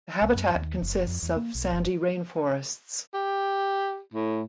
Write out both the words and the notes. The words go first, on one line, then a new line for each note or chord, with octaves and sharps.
The habitat consists of sandy rainforests.
C2
F#2
D#2
F#1
F2
E2
A#3
B1
F#1
G4
A2